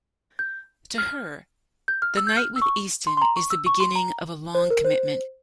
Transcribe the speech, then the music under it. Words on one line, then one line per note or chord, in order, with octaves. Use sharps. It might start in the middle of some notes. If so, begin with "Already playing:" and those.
To her, the night with Easton is the beginning of a long commitment.
G6
F6
G6
F6
E6
G6
F6
E6
C#6
C6
C6
A#5
C#6
E6
C#6
C6
A#5
C5
A#4
C5